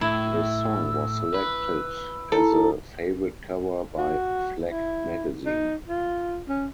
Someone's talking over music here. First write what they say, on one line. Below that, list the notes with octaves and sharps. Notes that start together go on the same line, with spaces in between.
The song was selected as a favourite cover by Flak Magazine.
A2 E4 E6
B4
E4 A4 A#5
F#4
E4
D#4
F4
C#4